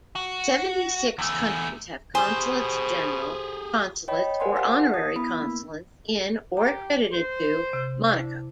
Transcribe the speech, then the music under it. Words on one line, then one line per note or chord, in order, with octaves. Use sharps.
Seventy-six countries have consulates general, consulates, or honorary consulates in or accredited to Monaco.
F#4
E2 A3
B2 G4 G#4 C5 G#5 D#6
C#5 D#5 G5 B5
A#4 C5 D5 F#5 G#5 C6
G4 A#4 F5 F#5 A5
D#6
B3 E4 B5
A#3
G4 A#5
C5
C3
D4 E4